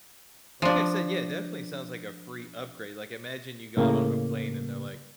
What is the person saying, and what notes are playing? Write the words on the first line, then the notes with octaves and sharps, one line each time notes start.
But, like I said, yeah, it definitely sounds like a free upgrade, like, imagine you got on a plane, and they're like,
F3 D4
A2 C#3 A#3